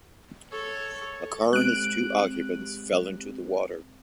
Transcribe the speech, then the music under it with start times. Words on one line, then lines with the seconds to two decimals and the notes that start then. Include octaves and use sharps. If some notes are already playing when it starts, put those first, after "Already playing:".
A car and its two occupants fell into the water.
0.52 A4 C#5
1.53 G#3 C4 G4 F#6 D7